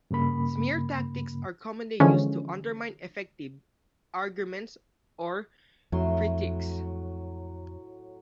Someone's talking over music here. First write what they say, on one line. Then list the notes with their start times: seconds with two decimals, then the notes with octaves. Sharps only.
Smear tactics are commonly used to undermine effective arguments or critiques.
0.11 G2 C#3 A#3 B5
2.00 D3 E3 F3 G#3 C#4
5.92 F2 A2 F#3 C6